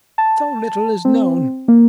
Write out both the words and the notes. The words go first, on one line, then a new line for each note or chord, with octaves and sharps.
"So little is known."
A5
C4
A#3